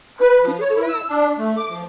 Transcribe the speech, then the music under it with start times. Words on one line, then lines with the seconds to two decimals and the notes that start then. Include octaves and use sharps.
I cou Could you do that?
0.21 B4
0.43 F3
0.61 C#5
0.75 E4
0.88 E6
1.09 D4
1.39 A3
1.57 D6
1.70 F3